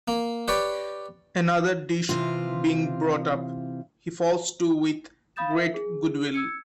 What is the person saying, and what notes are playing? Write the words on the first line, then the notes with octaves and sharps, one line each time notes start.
Another dish being brought up, he falls to with great goodwill.
A#3
G4 B4 C#5 D5
C3 E3 F4
F5 B5 D#6 G6 A6 E7
A#4 E5
G#4
E6 G#6 C#7